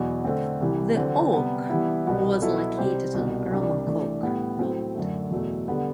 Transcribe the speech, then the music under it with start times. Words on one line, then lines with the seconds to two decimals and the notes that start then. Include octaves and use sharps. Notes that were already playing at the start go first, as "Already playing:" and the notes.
The oak was located on Romancoke Road.
Already playing: E2 B2 F#3
0.25 D3 A3 C4
0.60 C2 C3 E3
0.97 D3 F#3 C4 F#4
1.33 C3 G3 B3
1.69 E3 G3 B3 E4
2.06 C2 B2 G3 B3 F#4
2.42 B2 F#3 B3 E4 A4
2.78 C3 G3 C4 G4 C5
3.14 C2 B2 G3
3.50 C2 C3 G3 D4
3.87 E3 A3 D4
4.23 A2 G3 B3
4.59 A2 F#3 C4
4.95 F#2 D3 A3
5.31 E2 B2 F#3 A3
5.68 D3 G3 B3